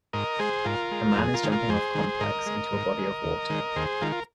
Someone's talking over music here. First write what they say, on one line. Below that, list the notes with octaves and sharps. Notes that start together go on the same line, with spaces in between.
A man is jumping off complex into a body of water.
G#2 A#4 D#5
G#3 G#4 C5
G#2 F4 A#4
G#3
F2 G#4
F4 A#4
D#3 G#3
F4 A#4
F2 G#4 C5
D#3 G#3
G#2 A#4 D#5
G#3
G#2
G#3
D#2
D#3 G#3
D#2 G#4 C5
D#3 G#3 F4 A#4
F4